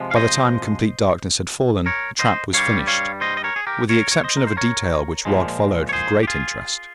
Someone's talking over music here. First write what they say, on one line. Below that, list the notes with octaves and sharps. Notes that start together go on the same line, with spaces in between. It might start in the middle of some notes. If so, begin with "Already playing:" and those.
By the time complete darkness had fallen the "trap" was finished, with the exception of a detail which Rod followed with great interest.
Already playing: C3 F3 G#3
F5
C5 D#5
A#4 C#5
C5 D#5
G2 G3 C#5 F5
C#5 F5
C5 D#5
D#5
A#4 C#5
G#4
G4 A#4
A#4 C#5
C#5
C5 D#5
A#4
C5
A#4 C#5
A#2 F3 G#3
C#5
G#4 C5
G4
F4 G#4